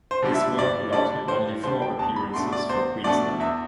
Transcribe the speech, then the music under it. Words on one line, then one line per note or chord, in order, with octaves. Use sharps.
His work allowed him only four appearances for Queensland.
C5
D3 G3 D4
E5
G2 D5
D3 G3 D4 D5
G2 C5
D3 G3 D4 C5
G5
E2 A5
B5
B2 A3 D4 C6
D5
E2 C5
B2 A3 D4 D5
E2 E5